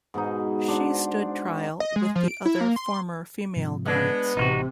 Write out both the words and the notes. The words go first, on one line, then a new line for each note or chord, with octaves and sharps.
She stood trial with the other former female guards.
G#2 B2 G#3 D#4
D4 C5 D5 F#5
D#5
G#3
F3
D7
E4
A#3
C6
G#2 C3 F3
G#3 B3 D4
A1 C3 D#4 F4 F#4